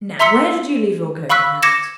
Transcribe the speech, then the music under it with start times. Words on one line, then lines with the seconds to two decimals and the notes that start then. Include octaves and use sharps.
Now where did you leave your coat and hat?
0.19 E5 A#5 C6 E6 B6 C#7
1.30 F5 B5 C#6 E6 F#6 B6
1.63 D6 G#6 A#6 C#7 E7